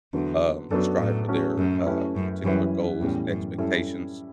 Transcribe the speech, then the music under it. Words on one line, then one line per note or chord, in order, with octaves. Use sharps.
um, strive for their, uh, particular goals and expectations.
E2 D3 F#3 B3
F#2 F#3 B3 D4 A4
A2
F#3 A3 C#4
F#2
A3 C#4 E4 G4 B4
F#2
F#2 E3 G3 C#4 E4 B4
E2 A2 E3 G3 C#4
F#2
F#2 G3 C#4 E4 A4